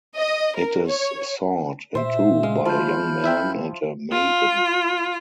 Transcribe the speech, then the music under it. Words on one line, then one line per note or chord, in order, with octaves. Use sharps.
It is sawed in two by a young man and a maiden.
D#5
A#4
C#5
A#2 C5 E5
G#3 F5
F3 B5 F6 G6
E4 E5 G5
F4